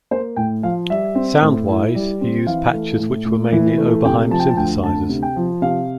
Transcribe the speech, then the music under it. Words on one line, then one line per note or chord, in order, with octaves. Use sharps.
Sound-wise, he used patches which were mainly Oberheim synthesizers.
A#3 C5
A2 G5
F3 F5
G3 E5
C4
A2
E4
G3
C4
E3 F5
A3
A2
A2
E3
A3
C3 G5
F3 A5
G5
A5
D2 G5
D2 A5
C3
G5
F3
C3 F5